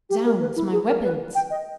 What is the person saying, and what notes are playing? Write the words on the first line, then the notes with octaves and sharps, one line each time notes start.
"Zounds! my weapons."
G4
A#4
B4
E4
G#4
A#4
B4
G5
D#5